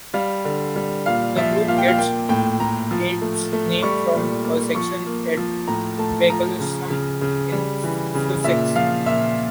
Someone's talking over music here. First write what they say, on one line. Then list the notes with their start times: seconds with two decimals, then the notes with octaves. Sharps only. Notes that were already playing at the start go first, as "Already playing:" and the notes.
The Group gets its name from a section at Bracklesham in Sussex.
0.14 G3 F5
0.45 D3
0.76 G3
1.06 A#2 F5
1.37 F3 E5
1.68 A#2 F5
1.78 G5
1.88 F5
1.98 A#3 G5
2.29 A2 G5
2.60 A2 A#5
2.91 F3
3.22 A3
3.53 A3
3.83 G3 C#6
4.13 A#2
4.44 A#3
4.75 F3 C#6
5.06 A#3
5.37 F3
5.68 A2 A#5
5.99 A3 A5
6.30 F3 A#5
6.60 C#3
6.90 C#3
7.21 C#3
7.52 G3
7.84 E3
8.15 C#3
8.44 A#2 E5
8.75 F3 F5
9.06 A#2 E5